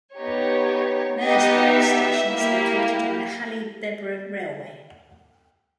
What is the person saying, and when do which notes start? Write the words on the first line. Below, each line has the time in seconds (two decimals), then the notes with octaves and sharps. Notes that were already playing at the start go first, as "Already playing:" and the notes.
Merseburg station is located on the Halle-Bebra railway.
0.16 B3 D#4 G4 C#5
1.20 B3 D#4 G4 D#5
1.73 E5
2.27 A#3 E4 G4